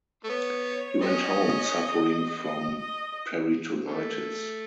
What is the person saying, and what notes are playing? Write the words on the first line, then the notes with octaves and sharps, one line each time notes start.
He went home suffering from peritonitis.
A3
B3 C#5
A3 C#4 D#5
D#5
D#5
C#3 A3